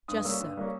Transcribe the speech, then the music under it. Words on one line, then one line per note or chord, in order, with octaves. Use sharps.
"Just so."
G2 D#6
G3 A#3 C#4 E6
G2
G3 A#3 C#4